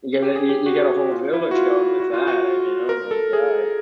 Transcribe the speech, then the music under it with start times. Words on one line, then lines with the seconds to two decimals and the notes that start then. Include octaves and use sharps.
Yeah, you you got a whole village going with that, I mean, oh my god.
0.22 G4
0.36 G#4
0.49 G4
0.66 F#4
1.11 F4
1.33 E4
1.51 F#4
1.55 F4
2.00 F#4
2.14 F4
2.27 F#4
2.89 A#4
3.11 A4
3.33 G#4